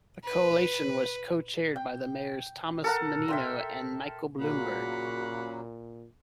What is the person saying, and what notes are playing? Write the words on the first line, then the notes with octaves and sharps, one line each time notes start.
The Coalition was co-chaired by Mayors Thomas Menino and Michael Bloomberg.
B4
G5
A4 A#4 F#5
E5 G5 C6
A#2 C#3 F#3 A#3 F#4 F5 F#5 B5